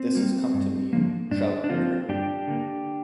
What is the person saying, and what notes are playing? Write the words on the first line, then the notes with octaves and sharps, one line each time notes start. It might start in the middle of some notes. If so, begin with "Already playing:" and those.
This has come to mean "trout river".
Already playing: C4
G3 A#3
G2
D3 F3 A#3
G2 D4
D4
D3 F3 A#3 C4 F4
G2 D4 G4
D3 A#3